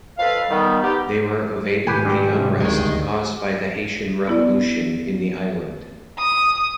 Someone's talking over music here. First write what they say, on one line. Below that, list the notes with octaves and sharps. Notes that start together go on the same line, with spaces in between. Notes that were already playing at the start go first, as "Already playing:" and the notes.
They were evading the unrest caused by the Haitian Revolution in the island.
F2 A4 B4 F5
D#3 G3 B3
B3 D#4 G4
G#2 B2 D#3 G4 B4 G5 G#5
G2 G4
A2 C3
D2 D#3 G#3 D#4 C#5
G1 D#2 E3
B3 E4 D5
D#6